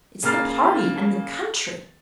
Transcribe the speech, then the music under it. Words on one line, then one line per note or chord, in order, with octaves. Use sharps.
It's the party and the country.
C#3 A#3 A#5 F6 A6 C7